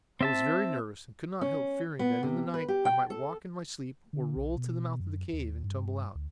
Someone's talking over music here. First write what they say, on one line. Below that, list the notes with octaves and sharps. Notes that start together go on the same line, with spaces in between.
I was very nervous and could not help fearing that in the night I might walk in my sleep or roll to the mouth of the cave and tumble out.
C4 E5 A5
C#4
B3
C3
B4
G4
G5
A4
D3
B1
B2
F#2
D#2
G2
D2